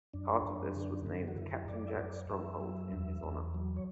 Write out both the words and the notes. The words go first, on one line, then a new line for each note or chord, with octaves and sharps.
Part of this was named Captain Jack's Stronghold in his honor.
F#2 D4
F#2
D3
F#2
F#4
F#2 E4
F#2 D5
E5
F#2 D5
F#2 E5
F#3
E2
E2
F#3
C#5